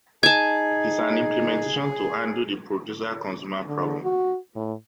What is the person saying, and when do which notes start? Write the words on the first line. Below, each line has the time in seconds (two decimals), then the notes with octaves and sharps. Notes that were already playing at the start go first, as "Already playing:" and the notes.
It is an implementation to handle the Producer-consumer problem.
0.23 D#4 G#4 G#5 A5 G#6
3.67 D3
4.03 F#4
4.56 A2